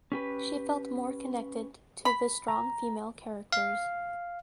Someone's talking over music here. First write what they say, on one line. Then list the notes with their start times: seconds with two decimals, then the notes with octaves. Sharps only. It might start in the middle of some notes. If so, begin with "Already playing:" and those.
She felt more connected to the strong female characters.
0.12 C#4 G4 B4
2.05 B5
2.48 A#5
3.53 F5